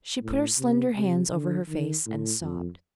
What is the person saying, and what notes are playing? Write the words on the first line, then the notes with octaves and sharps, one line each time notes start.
She put her slender hands over her face and sobbed.
A2
C3
C3
D3
D#3
A2
F2